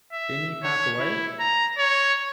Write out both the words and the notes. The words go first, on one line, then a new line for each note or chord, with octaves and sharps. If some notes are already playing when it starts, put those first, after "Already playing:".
Didn't he pass away?
E5
C#5
E4
A#5
C#5